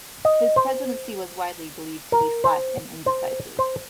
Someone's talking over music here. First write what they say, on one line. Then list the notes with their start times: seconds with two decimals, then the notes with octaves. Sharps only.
His presidency was widely believed to be slack and indecisive.
0.25 D#5
0.56 C5
2.12 A#4
2.44 C5
3.06 C5
3.59 C5